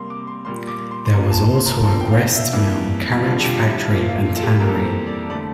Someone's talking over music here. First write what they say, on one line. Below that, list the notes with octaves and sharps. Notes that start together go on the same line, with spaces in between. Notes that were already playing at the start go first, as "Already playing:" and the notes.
There was also a gristmill, carriage factory and tannery.
Already playing: C3 G3 A#3 C6
D6
C6
A#2 G3 A#3 C6
D6
C6
C6
A#2 F3 A#3 A#5
A5
C6
A#5
E2 D3 F3 A#3 A5
G5
F5
G5
E5
F2 E3 G3 A#3
F2 D3 G3 F4
G4
F4
E4
A#2 F3 A#3 F4
F4
F4
A4
G4
F2 E3 G3 A#3 A#4
A4
A#4
C5
D5
D3 A3 D5